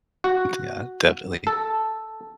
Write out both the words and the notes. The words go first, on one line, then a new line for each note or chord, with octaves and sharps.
Yeah, definitely.
F#4
A4